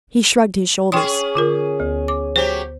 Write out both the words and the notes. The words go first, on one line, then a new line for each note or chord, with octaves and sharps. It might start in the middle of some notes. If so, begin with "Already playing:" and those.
He shrugged his shoulders.
C#4 G#4 G5 C6 D#6
D3 F4 A#4
D2
D6
F#3 G4 C5